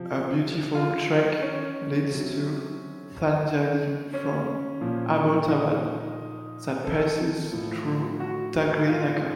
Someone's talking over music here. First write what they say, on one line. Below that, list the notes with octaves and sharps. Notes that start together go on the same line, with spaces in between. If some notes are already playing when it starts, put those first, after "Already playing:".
A beautiful trek leads to Thandiani from Abbottabad that passes through Dagri naka.
Already playing: C3 F3
F4
C#4
C3 F#3
C#4
A#2 F3
D#4
A4
A2 F3
F#4
F4